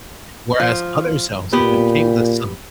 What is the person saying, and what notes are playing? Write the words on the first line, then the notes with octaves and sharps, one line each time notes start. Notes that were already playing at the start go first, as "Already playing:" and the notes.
whereas other selves, like when it came to some
F3
A#2 B3 G4 B4